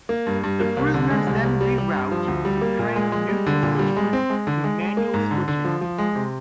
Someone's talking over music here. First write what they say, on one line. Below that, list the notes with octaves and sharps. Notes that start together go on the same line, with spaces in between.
The prisoners then reroute the train to neutral Switzerland through manual switching.
A#3
G2
G2
A#3
C2
D3
G#3
C2
C2
G3
G3
G2
F3
D2
G3
A#3
A#2
G#3
G#3
G3
D3
A#2
G3
G#3
C4
G#3
D3
G#3
G#3
A#3
G#2
D3
D3
F3
F3
G#3
C3